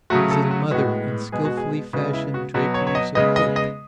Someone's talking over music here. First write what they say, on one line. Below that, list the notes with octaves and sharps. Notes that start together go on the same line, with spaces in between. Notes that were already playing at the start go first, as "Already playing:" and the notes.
Is it a mother in skilfully fashioned draperies of crape?
C#3 F#3 A3 F#4
A4
F#4
A2 G#3 B3 F#4
B2 G#3 B3 G#4
F#4
G#4
C#3 G#3 B3 F#4
E4
F#4
B2 F#3 B3 F#4
C#5
C#5
D#5
C#3 G#3 B3 D#5
D#5
D#5